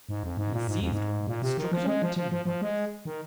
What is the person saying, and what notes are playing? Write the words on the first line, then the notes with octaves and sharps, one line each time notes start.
He seized one and struck it on the tinder-box.
G#2
F2
G#2
A#2
G#2
F2
G#2
A#2
C3
D#3
F3
G#3
F3
F3
F3
F3
G#3
D#3